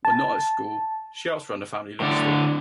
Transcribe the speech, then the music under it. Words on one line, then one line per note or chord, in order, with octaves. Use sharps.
When not at school, she helps run the family liquor store.
A5
A2 D3 D5